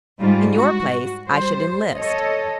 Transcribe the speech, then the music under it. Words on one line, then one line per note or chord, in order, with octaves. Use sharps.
In your place, I should enlist.
G#2 G3 F4
F#4
G3 C5
A4 C#5 D#5